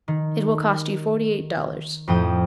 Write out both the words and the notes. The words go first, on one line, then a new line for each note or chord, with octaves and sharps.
It will cost you forty-eight dollars.
D#3
F2 A2 F3 G5 D#6